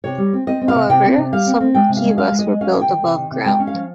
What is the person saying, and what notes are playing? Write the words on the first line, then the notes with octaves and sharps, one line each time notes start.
However, some kivas were built above ground.
C3 C#5
G3
C4
C4 D#5
C4
F5
C3
C3 G5
C4
C3
G3 F5
C4
C4
G#3 G5
C3
F5
G#3
G#3 F5
G#3
D#5
G#3
C#4 F5
C3
G5
D#3
C3
D#3
C3
G#3 G5
C#4
F5
F3